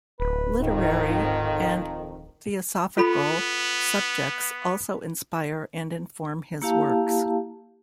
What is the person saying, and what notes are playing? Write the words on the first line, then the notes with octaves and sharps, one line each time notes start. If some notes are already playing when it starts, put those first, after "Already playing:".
Literary and theosophical subjects also inspire and inform his works.
D1 B4
F2 G#2 D#3
B3 F4 A4 B5
A#3 E4 G4 F5 A5